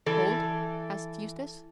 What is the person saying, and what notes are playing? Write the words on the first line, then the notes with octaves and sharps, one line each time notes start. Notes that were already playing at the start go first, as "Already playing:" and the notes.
"Cold?" asked Eustace.
E3 A4